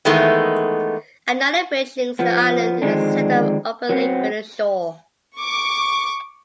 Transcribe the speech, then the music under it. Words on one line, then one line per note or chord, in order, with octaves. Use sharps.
Another bridge links the island in the centre of Upper Lake with the shore.
D#3 E3 G#3 A3 B3
F3 B3
D3 D#3 F3 G#3 C4 D4
F#3 B3 C4
C#6 D6